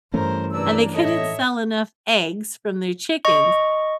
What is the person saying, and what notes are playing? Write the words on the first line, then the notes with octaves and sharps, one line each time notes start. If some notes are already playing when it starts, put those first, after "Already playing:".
and they couldn't sell enough eggs from their chickens,
G2 E3 A3 C#4 A#4 C5
E2 C3 A#3 D4 E6
A2 A4 C#5 D#5 E5
D#5 C#6